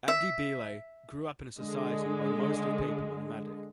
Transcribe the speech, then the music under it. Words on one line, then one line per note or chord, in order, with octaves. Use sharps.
Abdi Bile grew up in a society where most of people were nomadic.
E5
D3 G#3